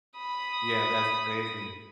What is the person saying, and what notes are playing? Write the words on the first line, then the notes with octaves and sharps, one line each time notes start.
Yeah. That's crazy.
B5 D#6